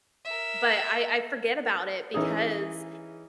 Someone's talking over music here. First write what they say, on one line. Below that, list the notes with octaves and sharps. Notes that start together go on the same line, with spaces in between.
But I I forget about it because
A#4 E5
E3 C#4 D#4 G#4